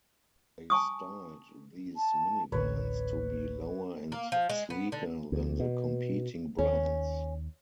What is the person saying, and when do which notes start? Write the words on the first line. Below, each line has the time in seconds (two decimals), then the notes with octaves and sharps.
They styled these minivans to be lower and sleeker than the competing brands.
0.70 G#5 A5 C#6 D#6
1.97 A5
2.52 D1 A1 D3 B4 C#5
4.12 A#3
4.32 F3
4.49 G#3
4.70 B3
4.92 D3
5.32 D2
5.60 B2
6.58 D#2 C#4